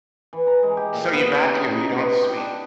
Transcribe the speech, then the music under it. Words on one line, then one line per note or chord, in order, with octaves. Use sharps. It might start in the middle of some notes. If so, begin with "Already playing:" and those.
So you vacuum, you don't sweep.
E3
A#5
G#3
G4
A#2
B3
C#3
A#5
D#4
B3
G4
D4